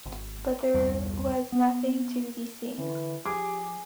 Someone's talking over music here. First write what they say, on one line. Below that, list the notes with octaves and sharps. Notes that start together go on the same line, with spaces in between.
But there was nothing to be seen.
G#1
B1 E2 G2
B3
D3 E3
F3 G4 G#4 D6